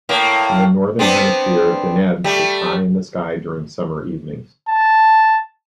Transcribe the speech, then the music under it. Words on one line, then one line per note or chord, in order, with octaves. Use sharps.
In the northern hemisphere Deneb is high in the sky during summer evenings.
A2 A#3
B3 C4 D4
G3 A3
A5